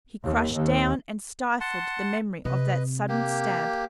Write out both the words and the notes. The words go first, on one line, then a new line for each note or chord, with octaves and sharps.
He crushed down and stifled the memory of that sudden stab.
D#2
D#2
F#5 A5 C6
C3 B4 D#5
A#3 G4